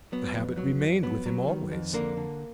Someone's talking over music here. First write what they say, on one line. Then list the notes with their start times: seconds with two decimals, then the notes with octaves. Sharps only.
The habit remained with him always.
0.12 F#3 B3
0.34 F2
0.57 F#3
0.81 F2
1.03 F#3 B3
1.26 F#3
1.48 D#3
1.72 F2
1.93 D3 A#3
2.17 D3